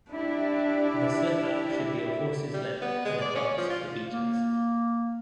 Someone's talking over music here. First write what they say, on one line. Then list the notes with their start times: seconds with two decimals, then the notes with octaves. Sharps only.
The slipper should be a horse's length in advance of the beaters.
0.11 D4 E4 G4 D5
2.54 G3
2.82 B3
3.05 G#3
3.22 D5
3.36 C#4
3.58 F3
3.70 F4
4.09 A#3